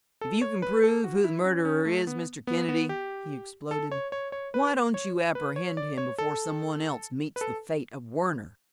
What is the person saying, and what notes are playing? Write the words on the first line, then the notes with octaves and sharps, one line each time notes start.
"If you can prove who the murderer is, Mr. Kennedy," he exploded, "why don't you apprehend him before some one else meets the fate of Werner?"
A4
C#5
B4
A4
F#4
E4
C#4
C#4
A3
B3
B3
B3
G4
A4
C#5
C#5
C#5
B4
C#5
B4
C#5
D5
C#5
A4
B4
A4